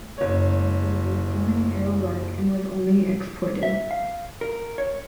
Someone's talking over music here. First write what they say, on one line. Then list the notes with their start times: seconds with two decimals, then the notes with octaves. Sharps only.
The four-cylinder was used only in Aero Lark and was only exported.
0.18 F#1 C#5
3.63 E5
3.91 F5
4.41 A#4
4.78 C#5